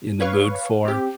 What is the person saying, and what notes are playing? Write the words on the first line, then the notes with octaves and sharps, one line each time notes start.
in the mood for.
B4 C#5 F5 C#6
C4 G4